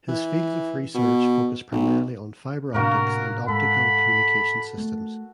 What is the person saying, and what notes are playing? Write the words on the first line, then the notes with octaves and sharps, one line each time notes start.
His fields of research focus primarily on fiber optics and optical communication systems.
E3
B2
B1
A2 C3 A#3 D4 F#4 A#4
G#2 A4 B5
A3